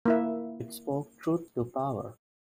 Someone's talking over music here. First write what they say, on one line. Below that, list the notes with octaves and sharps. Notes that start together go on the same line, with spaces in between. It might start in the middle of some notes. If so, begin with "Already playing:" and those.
It spoke truth to power.
A#3 E4 E5